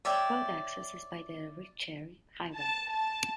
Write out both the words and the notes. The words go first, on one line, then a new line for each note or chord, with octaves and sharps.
Road access is by the Riccheri Highway.
C#5 D5 E5 G5
A5
A5